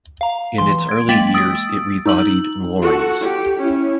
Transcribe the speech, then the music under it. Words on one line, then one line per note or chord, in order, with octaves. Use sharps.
In its early years it rebodied lorries.
F5 A#5
E3 C6
G#6 D7
G#3 A#3 G5 A6 B6 F#7
D#6 E6 A6 D7
D#4 E6 F#7
F#4 A4
G4
C#4 E4